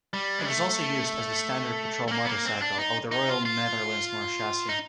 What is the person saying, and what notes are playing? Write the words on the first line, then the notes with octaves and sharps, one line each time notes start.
It is also used as the standard patrol motorcycle of the Royal Netherlands Marechaussee.
G3
G#3
A3
A3
A#3
B3
A#3
C4
D4
D#4
D#4
F4
F4
D#4